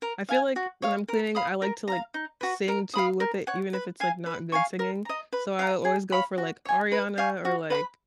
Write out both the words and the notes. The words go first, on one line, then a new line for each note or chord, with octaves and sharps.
I feel, like, when I'm cleaning, I like to, like, sing too with it, even if it's, like, not good singing. So, I always go for, like, Ariana or, like
A#4
F5 G#5
F#4
C#5 F5
A#4
F5 B5 D#6
A#4
F5 A#5
D#4
F#4 B4
A#4
F5 B5 D#6
A#4
C#5 F#5
B4
F5 G#5
B4
F5 G#5 C#6
A#4
D#5 A#5
B4
F5 A#5
G#4
C#5 F5 B5
F#4
C#5 G#5
B4
F5 G#5 C#6
F#4
B4 F#5 B5